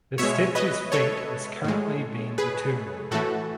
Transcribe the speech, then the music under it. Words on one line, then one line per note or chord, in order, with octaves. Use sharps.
The statues fate is currently being determined.
B2 G#3 C#5 E5
B4 D#5
A4 C#5
A2 G#3
G#4 B4
A2 E3 A3 F#4 A4